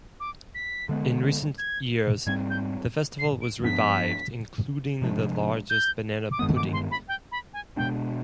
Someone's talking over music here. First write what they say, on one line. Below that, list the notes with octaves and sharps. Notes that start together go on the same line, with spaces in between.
In recent years, the festival was revived including the largest banana pudding.
D6
B6
D3 G#3 B3
G#6
G#2 G3 C4 G#6
G6
C7
D7
G2 F3 B3 D4 B6
C3 F3 G#3 D4
G6
D6
G2 D#3 G#3 B3 D#6
D6
C6
B5
G5
B5
G#5
B2 G#3 B3 D4 G5